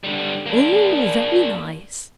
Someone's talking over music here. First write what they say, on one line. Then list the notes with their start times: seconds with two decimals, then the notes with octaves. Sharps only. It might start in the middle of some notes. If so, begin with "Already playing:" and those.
Oh! very nice!'
0.04 D3 G3
0.46 A#3 D4